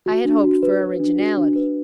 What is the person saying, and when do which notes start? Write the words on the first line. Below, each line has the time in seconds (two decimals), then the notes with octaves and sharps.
I had hoped for originality.
0.06 F#4
0.25 D4
0.44 F#4
0.63 B4
0.81 B4
1.00 D4
1.18 F#4
1.37 D4
1.56 B4